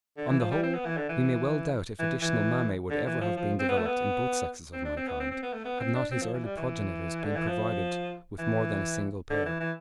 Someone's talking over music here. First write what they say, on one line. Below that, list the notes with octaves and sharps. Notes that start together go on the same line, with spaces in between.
On the whole, we may well doubt if additional mammae would ever have been developed in both sexes of mankind, had not his early progenitors been provided with more than a single pair.
D3
E3
F3
G3
C4
B3
E3
D3
E3
E3
E3
D3
E3
F3
F3
C4
B3
A3
B3
C4
D4
C4
B3
C4
C4
B3
A3
B3
C4
D4
C4
F3
E3
G3
E3
D3
E3
F3
E3
D3
E3
E3